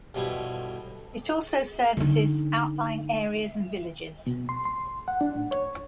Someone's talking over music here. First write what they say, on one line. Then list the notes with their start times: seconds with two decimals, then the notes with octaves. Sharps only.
It also services outlying areas and villages.
0.14 G2 B2 F3 G3 E4
1.97 D3 D#4
4.27 B2
4.49 C6
4.65 C6
5.08 F#5
5.21 D4
5.36 A2
5.51 C#5